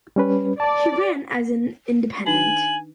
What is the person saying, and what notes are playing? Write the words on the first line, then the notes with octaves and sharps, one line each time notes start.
He ran as an independent.
G3 C#4 B4
D5 A5
D#3 D4 D#4 G#5 F#7